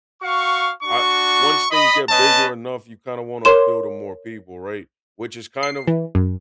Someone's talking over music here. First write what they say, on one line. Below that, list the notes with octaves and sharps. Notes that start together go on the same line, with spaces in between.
I Once things get bigger enough, you kinda wanna appeal to more people, right? Which is kind of
F#4 F5 C#6
D4 F#4 C#6
D#5 B5
C#4 B4 D#5 A5
A#4 C#5 C6 D6 E7
C7
E3
F#2